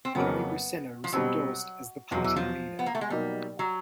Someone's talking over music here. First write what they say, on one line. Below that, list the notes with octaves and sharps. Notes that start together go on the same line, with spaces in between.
Johnny Briceno was endorsed as the Party Leader.
C4
F2 C#3 F#3 A#3 B3 C#4
F3
B2 F#3 G3 C4
E2 B2 F3 F#3
E3
F3
B3
A#3
A3
G#3
B2 F#3 G3 A#3 D#4
F#3